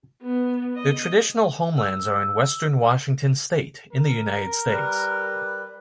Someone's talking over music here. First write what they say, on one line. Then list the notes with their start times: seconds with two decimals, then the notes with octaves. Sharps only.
Their traditional homelands are in western Washington state in the United States.
0.23 B3
0.76 D#5
1.78 E6
3.92 A#4
4.67 G3 B4